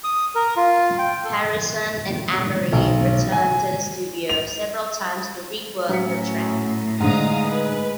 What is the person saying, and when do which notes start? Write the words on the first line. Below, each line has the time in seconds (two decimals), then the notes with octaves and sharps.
Harrison and Amerie returned to the studio several times to rework the track.
0.04 D#6
0.35 A#4
0.56 F4
0.99 G5
1.24 A4
2.73 B1
3.32 G#5
4.29 F7
5.89 A2 F#3 C#4 B6 C#7
7.00 G#2 D3 G#3 F5 A#5 D#6
7.45 B4